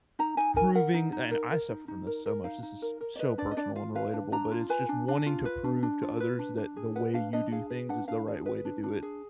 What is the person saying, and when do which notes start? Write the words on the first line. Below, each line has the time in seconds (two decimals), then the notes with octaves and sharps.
proving and I suffer from this so much, this is so personal and relatable, but it's just wanting to prove to others that the way you do things is the right way to do it,
0.19 D#4 A#5
0.37 D#4 G#5
0.56 A#4 G#5
0.75 A#4 F#5
0.94 D#4
1.12 D#4
1.31 A#4
1.51 A#4
1.69 D#4
1.88 D#4
2.07 A#4
2.26 A#4
2.44 D#4 F5
2.63 D#4
2.82 A#4
3.01 A#4
3.16 D5
3.19 B4 D#5
3.38 D4 D5
3.51 D#5
3.57 D4 D5
3.75 F4 F5
3.95 B4 F5
4.13 D4
4.32 D4 A#5
4.51 F4
4.70 B4 G#5
4.89 D4
5.08 D4
5.26 F4
5.45 B4
5.64 D4
5.83 D4
6.02 F4
6.20 B4
6.39 D4
6.57 D4
6.76 G#4
6.96 B4 F#5
7.14 D4 F5
7.33 D4 D#5
7.52 G#4 F5
7.70 B4
7.89 D4 F#5
8.08 D4 F5
8.28 G#4
8.46 B4
8.65 D4
8.83 D4
9.02 G#4